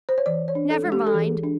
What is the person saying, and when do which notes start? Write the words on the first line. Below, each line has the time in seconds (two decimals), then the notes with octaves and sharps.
Never mind!
0.09 C5
0.18 C#5
0.26 E3 D5
0.48 C#5
0.55 D4
0.70 A4
0.85 G#3
0.92 G4
1.07 A4
1.14 E3 G#4
1.44 D4